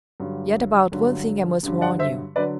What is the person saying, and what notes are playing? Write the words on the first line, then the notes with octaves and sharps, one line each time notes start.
Yet about one thing I must warn you.
G2 D3 F#3
G2 D3 F#3
G2 D3 F#3
D5 F#5
C5 E5
D3 F#3 B4 D5